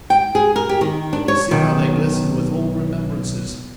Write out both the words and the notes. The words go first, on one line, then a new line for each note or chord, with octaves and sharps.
But see how they glisten with old remembrances!
G5
G#4
A#4
G4
D#3
D4
C#5
B1 D#3